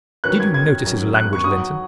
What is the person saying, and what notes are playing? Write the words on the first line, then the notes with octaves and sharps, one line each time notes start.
Did you notice his language, Linton?
D#3 F#3 C#4 B4 F#6
G#6
G#6
F#2 D#3 F#3
F#6
C#6
F#3 D#4 F#4 D#6